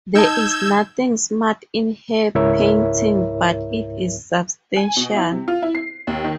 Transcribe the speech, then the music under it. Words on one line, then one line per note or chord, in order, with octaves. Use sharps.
There is nothing smart in her painting, but it is substantial.
D#4 A5 E6 G6 G#6
C#2 G#2 E4 A#4 C#5 E5
G#5
B2
E4
C3
F4
E4
C7
D#2
D#3